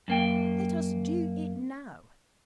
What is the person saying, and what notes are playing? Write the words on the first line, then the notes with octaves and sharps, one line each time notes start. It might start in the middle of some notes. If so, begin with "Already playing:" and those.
'Let us Do It Now.
F#2 A#3 G5